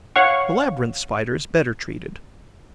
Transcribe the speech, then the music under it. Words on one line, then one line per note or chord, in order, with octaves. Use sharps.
The Labyrinth Spider is better treated.
C#5 F5 F#5 C#6